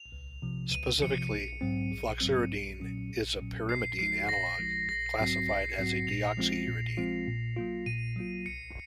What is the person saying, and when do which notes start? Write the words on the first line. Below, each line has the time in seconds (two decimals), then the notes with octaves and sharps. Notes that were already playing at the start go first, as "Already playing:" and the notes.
Specifically, floxuridine is a pyrimidine analog, classified as a deoxyuridine.
Already playing: F7
0.12 C#2
0.42 C3 F3
0.72 C#2 D#7
1.02 C3 F3 C#7
1.31 A#1
1.61 G#2 F#3 C4
1.91 A#1
2.21 G#2 F#3 C4
2.51 A#1
2.80 A#2 F#3 C#4
3.10 A#1
3.40 A#2 F#3 C#4
3.69 A#2 C7
3.99 F3 G#3 D#4 F#4 C7
4.29 A#2 A#6
4.59 F3 G#3 D#4 F#4
4.89 A#1 A#6
5.18 G#2 F#3 C4 F#4 C7
5.48 A#1 C7
5.69 C#7
5.78 G#2 F#3 C4 F#4 C7
6.07 A#2 F7
6.37 F3 G#3 C4 F4
6.67 A#2
6.97 F3 G#3 C4 F4
7.27 A#2
7.57 F#3 A#3 F4
7.86 A#2 D#7
8.16 F#3 A#3 F4
8.46 C2 C#7